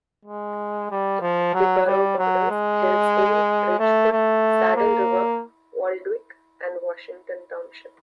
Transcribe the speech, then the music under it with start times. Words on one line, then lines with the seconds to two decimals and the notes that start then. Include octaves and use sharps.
The borough borders Hillsdale, Ridgewood, Saddle River, Waldwick, and Washington Township.
0.25 G#3
0.91 G3
1.21 F3
1.54 F#3
1.86 G3
2.18 F#3
2.51 G#3
3.79 A3
4.12 A3
4.76 A#3